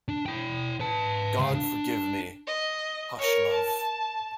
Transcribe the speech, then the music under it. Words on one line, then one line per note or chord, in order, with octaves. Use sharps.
God forgive me! Hush, love!
D4
E4 G5
B4 A5
C#2 F5
D4
D#5
A#4 C#5
A5